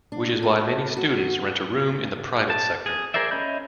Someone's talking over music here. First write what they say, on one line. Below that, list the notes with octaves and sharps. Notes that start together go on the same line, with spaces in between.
Which is why many students rent a room in the private sector.
D4
A4
F#4
A5
G#4
G#4 A#4 C5 D5 E5
C#4 D#5 E5 B5 G6